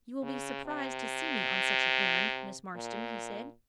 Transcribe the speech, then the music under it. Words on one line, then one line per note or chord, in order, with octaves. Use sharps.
"You will be surprised to see me on such an errand, Miss Marston!" he said.
C#3
C3
A#2